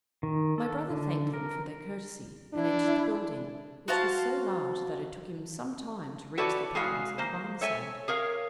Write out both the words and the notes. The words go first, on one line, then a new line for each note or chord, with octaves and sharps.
My brother thanked them for their courtesy and entered the building, which was so large that it took him some time to reach the apartments of the Barmecide.
D#3
A4
D3
A#4
D4 E4
F#4 C5 F5 A5
E4 F#4 A4 B4 C#5 D5
G#3 F#4 G#4 B4 F5
A#3 C5
A4 C#5 E5 G#5
G#4 A#4 C#5 F5